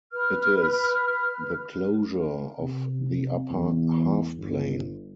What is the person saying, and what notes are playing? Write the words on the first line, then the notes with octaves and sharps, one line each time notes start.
It is the closure of the upper half-plane.
B4 F6
C3
E2
G1